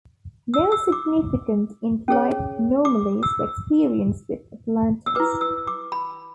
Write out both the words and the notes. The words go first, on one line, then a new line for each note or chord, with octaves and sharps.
No significant in-flight anomalies were experienced with Atlantis.
E6
E6
D6
C#4 G#4 C#5
D6
E6
E6
E4 B4 D6
E6
D6
B5